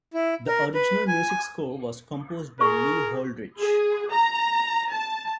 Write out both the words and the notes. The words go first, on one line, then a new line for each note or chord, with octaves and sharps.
The original music score was composed by Lee Holdridge.
E4
A#4
B4
G#5
G#4 A#4 C#6
G#4
A#5
A5